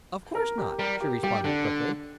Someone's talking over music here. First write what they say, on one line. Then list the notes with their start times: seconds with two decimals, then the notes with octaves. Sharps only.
"Of course not," she responded, quickly.
0.35 A#4
0.58 G4
0.79 G3 A#4
1.00 G4
1.24 G3 G4
1.44 D3 D4